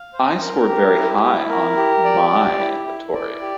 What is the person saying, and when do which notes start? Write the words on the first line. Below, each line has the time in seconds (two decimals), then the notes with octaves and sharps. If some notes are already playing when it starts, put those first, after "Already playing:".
I scored very high on my inventory.
Already playing: F5
0.13 C5
0.41 A#4
0.68 G4
0.96 E4
1.23 E4
1.50 A#4
1.77 G4
2.04 D5
2.32 G4
2.60 E4
2.87 E4
3.14 D5
3.41 G4